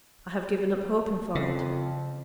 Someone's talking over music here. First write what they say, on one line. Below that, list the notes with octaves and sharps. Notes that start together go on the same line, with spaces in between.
I have given up hoping for it.
F2 C#3